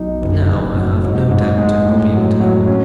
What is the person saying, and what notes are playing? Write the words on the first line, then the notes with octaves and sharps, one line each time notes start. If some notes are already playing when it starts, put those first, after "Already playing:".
But now I have no doubt of your being at home.
Already playing: B1 D#4
F#1
F#1
F#3
G#2
G#2
G#3
A2
F#3
F#3
C#4